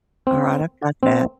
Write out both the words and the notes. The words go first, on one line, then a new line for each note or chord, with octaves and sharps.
Alright, I've got that.
C4
C4